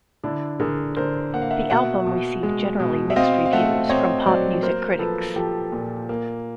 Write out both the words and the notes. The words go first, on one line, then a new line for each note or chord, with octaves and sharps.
The album received generally mixed reviews from pop music critics.
D3 D4 E4
D3 G#4 A#4
D3 A#4 C5
A#3 F#5
F5
E5 F#5
B2 E5 F#5
B2
G#3
B2
E5
C4 D#5 F5
F5
A3 E5 F#5
C4 C#5 D#5
F#3 C5 D5
A#3 A#4 C5
F3 A4 B4
F3 G4 A4
A#2
A#3